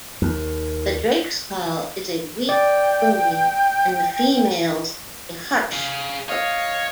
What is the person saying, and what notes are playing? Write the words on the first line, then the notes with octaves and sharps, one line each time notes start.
The drake's call is a weak crooning, and the female's a harsh croak.
D#2
D5 G5
G#4 F5
C#5 D#5 F5